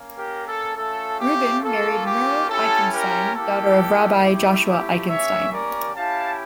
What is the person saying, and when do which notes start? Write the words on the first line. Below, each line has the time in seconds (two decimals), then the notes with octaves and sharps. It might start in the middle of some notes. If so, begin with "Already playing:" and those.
Rubin married Mirl Eichenstein, daughter of Rabbi Joshua Eichenstein.
Already playing: A#3 C#4
0.17 G4 A#4
0.46 A4
0.76 A3 C#4 F4 A4
1.20 G4
1.62 A#3 C#4 F4 A4
2.06 G4
2.49 C#4 E4 G4 A4
2.92 G4 A#4
3.35 A#3 E4 G4 A4
4.22 A3 E4 G4
4.66 G4
5.08 A#3 C#4 G4 C#5 E5
5.51 A#4 D5
5.95 C#4 E4 G4 F5 A5